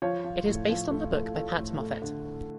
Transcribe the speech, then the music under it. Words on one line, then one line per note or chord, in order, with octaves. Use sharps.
It is based on the book by Pat Moffett.
F3 C#5
F3
A2
F3
A3
A3
A3
A2
A3
D3